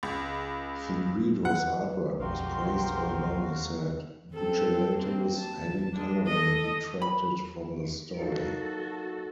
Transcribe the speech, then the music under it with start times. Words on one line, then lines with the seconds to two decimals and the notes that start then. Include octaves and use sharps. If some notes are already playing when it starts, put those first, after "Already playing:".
Fegredo's artwork was praised although he said Buccellato's heavy colouring detracted from the story.
0.03 C#2
1.45 F#5
2.20 B1 F2 G#3 F#4 G4 A#4 F5 C6
4.34 C4 A4
4.97 A#3 C4
5.38 A5
5.93 G#3 D4
6.27 A4 D#5
7.02 B5
8.18 F#3 A#3 D#4 F#4 A4